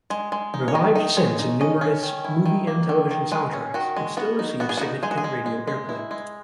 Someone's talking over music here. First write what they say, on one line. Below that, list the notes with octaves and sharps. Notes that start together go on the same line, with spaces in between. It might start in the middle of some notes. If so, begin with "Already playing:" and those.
Revived since in numerous movie and television soundtracks, it still receives significant radio airplay.
G#3
G#3
D#4
C#5
D#3 D#5
D#4
G#3 C#5
D#4
C#4 D#5
C#4
D#3
E4
D#3
A#3
D#3
D#3
G#3 B4
C#4
D#3 F#4
G#3
B3 F#4
D#4
B3 F#4
G#4
D#4 F#4
G#3 G#4
F#4
G#4
G#3
G#3
G#3
E4
G#3